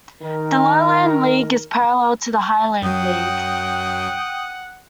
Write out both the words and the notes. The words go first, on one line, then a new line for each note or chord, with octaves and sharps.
The Lowland League is parallel to the Highland League.
D#3 A#4
F#2 F#3 F#5 G5 D#6